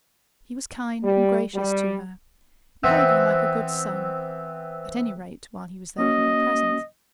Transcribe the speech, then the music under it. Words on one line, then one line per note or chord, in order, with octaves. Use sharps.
He was kind and gracious to her, behaving like a good son, at any rate while he was there in her presence.
G3
G3
E3 B3 C4
A#3 C#4 F#4 D#5